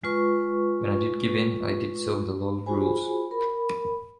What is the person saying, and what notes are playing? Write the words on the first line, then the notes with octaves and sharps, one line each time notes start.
When I did give in, I did so with a lot of rules.
G#3 F4 B4 C#6
F4 F#4 G#4 C5 G#5 B5
A#4 B5